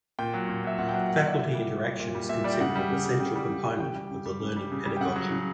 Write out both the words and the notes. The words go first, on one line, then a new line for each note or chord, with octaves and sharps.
Faculty interaction is considered an essential component of the learning pedagogy.
A#2 G5
F#3
A#2
F#3 E5
A#2 F#5
G5
F#3 F#5
A#2 F#5
E5
F#3 D5
E5
A#2
G3
A#2
G3
A#2
G3
A#2 E5
G3 D5
G5
C#3 F#5
G3
C#3
G3
C#3 G5
G3
C#3
G3
C#3 G5
G3
C#3
G3
C#3
G3
C#3
G3
G5
C#3 F#5
F#3 F#5
C#3